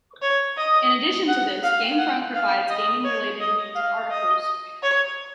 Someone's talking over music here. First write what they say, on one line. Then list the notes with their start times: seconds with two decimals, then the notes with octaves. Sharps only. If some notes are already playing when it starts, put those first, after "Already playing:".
In addition to this, GameFront provides gaming-related news and articles.
0.22 C#5
0.57 D#5
1.29 F#5
1.63 F5
1.98 F#5
2.34 F5
2.70 D#5
3.04 C#5
3.40 D#5
3.75 F5
4.11 D#5
4.83 C#5